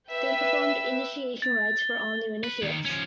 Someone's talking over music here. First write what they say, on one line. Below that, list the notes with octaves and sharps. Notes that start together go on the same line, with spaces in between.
They performed initiation rites for all new initiates.
B4 E5 G5 E6
A6
G7
B4
D#2 D#3
F3 C#4